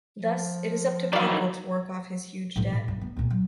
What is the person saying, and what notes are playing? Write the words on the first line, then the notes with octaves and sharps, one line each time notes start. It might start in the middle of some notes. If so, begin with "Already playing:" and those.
Thus, it is up to Pockle to work off his huge debt.
F3
D#3 E3 F#3 D5 F5
A2 F3
A2
G2
B3
C#2 A#2
F#3